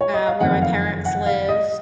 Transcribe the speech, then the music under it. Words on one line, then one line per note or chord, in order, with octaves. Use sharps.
um, where my parents live,
C#5
D#5
F5
F#1 F2 D#3 A3 C4 F#5
F5
F#5
F5
D#5